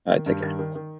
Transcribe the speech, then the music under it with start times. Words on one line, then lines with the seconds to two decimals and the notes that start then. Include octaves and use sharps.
All right, take care.
0.09 D#3
0.26 G2
0.42 D#3
0.59 D#3
0.75 D#3